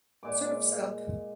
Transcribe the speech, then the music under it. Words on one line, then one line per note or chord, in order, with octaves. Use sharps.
Serfs Up!
A#2 G#3 D6